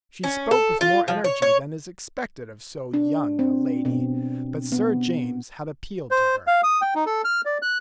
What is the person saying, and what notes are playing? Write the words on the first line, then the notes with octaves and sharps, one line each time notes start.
She spoke with more energy than is expected of so young a lady, but Sir James had appealed to her.
C#4
A4
F4
F3
C#5
C#5
D4
C4
B2
B3
C5
F5
D#6
G5
D#4
A4
F6
D5
F#6